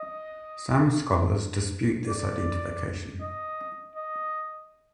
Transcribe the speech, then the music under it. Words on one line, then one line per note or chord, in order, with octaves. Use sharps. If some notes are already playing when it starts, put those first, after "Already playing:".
Some scholars dispute this identification.
Already playing: D#5
D5
D#5
D#5